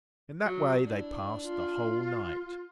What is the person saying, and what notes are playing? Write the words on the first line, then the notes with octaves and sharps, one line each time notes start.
In that way they passed the whole night.
F#3
D4 E4
F4